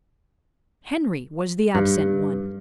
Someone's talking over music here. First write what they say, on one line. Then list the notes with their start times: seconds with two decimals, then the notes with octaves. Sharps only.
Henry was the absent one.
1.75 G2